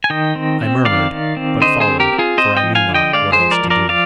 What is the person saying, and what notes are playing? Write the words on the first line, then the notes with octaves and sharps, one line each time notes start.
I murmured, but followed, for I knew not what else to do.
G#5
D#3 D#5 G5
C4
C4
D#3 D5 F5
D#3
C4
D3 C5 D#5
G#4 C5
C4
G4 A#4
C4
F4 G#4
C4 C5 D#5
D#5 G5
F3
F5 G#5
D3
D#5 G5
G#3 D5 F5
G#4 C5
F3
A#4 D5
F3
A#4 D5
F3 D5 F5